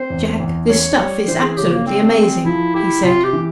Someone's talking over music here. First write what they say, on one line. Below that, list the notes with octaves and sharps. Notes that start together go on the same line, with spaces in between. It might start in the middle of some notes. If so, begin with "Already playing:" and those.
"Jack, this stuff is absolutely amazing," he said.
Already playing: C4 C5
E2
E2
C#4 C#5
G3
E3 C5
G#4
C#3 G4
A#3
G3 C4
G#4
F3 E4
E4 G4
C3 F4
G4
E3